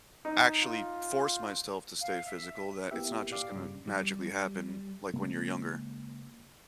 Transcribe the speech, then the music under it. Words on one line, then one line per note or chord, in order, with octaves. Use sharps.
actually force myself to stay physical, that it's not just gonna magically happen like when you're younger.
D#4
F4
F5
E5
A#3 B3 E4 G4 E5
A#2 G4 D5 F5 D6 C7
G2 C#3
G3
C#3 G#3 A#3